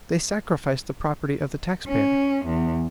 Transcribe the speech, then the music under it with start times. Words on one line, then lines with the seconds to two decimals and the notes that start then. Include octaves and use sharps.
They sacrificed the property of the tax-payer.
1.87 C#4
2.45 E2